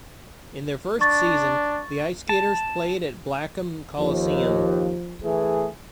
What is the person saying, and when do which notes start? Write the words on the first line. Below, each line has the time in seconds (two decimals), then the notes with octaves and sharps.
In their first season, the IceGators played at Blackham Coliseum.
1.01 D4 C#6 A6
2.29 A5
3.98 D#2 F3
5.23 E3 A3 G#4